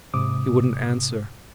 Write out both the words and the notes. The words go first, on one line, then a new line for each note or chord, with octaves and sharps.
He wouldn't answer.
G#2 C3 D6 D#6